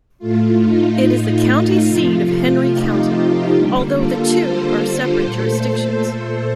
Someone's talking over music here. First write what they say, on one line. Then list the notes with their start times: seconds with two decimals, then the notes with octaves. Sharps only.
It is the county seat of Henry County, although the two are separate jurisdictions.
0.19 A2 A3 F4
0.61 D#4
1.03 F4
1.87 C3 F3 A3
2.70 D#4 G4
3.54 D3 G3 A#3
3.96 F4 A4
4.38 A4 C5
4.80 A4 C5
5.22 A#2 A3
6.06 A4 C5